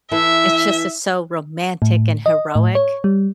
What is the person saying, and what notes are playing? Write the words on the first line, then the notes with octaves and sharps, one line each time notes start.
it's just it's so romantic and heroic.
E3 E4 A4 E5
A2
D#5
A2
C#5
G3